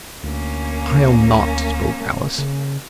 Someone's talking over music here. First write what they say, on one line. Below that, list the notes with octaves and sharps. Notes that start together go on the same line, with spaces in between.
"I'll not," spoke Alice.
D2 A#3 C#4
C#3